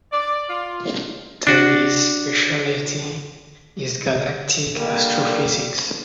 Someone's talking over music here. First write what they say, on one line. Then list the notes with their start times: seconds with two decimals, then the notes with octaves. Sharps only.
Tully’s specialty is galactic astrophysics.
0.12 D5
0.49 F4
1.47 D4 F#4
4.75 D3 G3 A#3